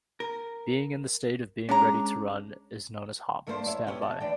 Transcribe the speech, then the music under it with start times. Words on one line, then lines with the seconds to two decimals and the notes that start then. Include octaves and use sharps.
Being in the state of being ready to run is known as hot standby.
0.20 A#4
1.69 G#3 C#4 D4 A#5
3.47 G2 A3 A#3 D4 A4 C5
3.66 F#2 E4 C#5 E5
3.87 B3 C#4 E4 G4
4.01 A5
4.20 D2 E3 D4 D5 G5